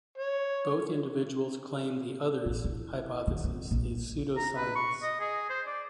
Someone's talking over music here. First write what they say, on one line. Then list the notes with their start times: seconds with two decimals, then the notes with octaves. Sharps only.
Both individuals claim the other's hypothesis is pseudoscience.
0.18 C#5
2.45 A1
2.65 E4
3.27 D#3
3.44 C4
3.71 A#1
4.37 A#5
4.56 B4
4.76 C#6
5.03 D#5
5.20 G#4
5.50 C5
5.67 D5